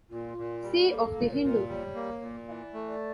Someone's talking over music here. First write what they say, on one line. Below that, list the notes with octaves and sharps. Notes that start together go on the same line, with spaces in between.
C of The Hindu.
A#2 F4
A#2
G3
A#3 A4 A#4
A#2
C#5
A#4
A#2
G3 C#5
A#3
A#2
E3 D5 F5
A3
D5